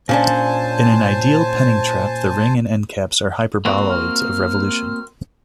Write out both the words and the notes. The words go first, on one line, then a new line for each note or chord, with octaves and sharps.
In an ideal Penning trap the ring and endcaps are hyperboloids of revolution.
A#2 C#4 D4 C5 G#5 A5
A#3 C4 F#4
F6